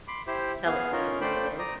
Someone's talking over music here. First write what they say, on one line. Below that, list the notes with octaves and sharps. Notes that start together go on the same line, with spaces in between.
tell it to you the way it is.
B5 C6 D6
E4 G4 C5
B3 G#4 F5
C#4 D#4 F4 A#4
A3 C5 D5 G5 B5
D5 A#5 D#6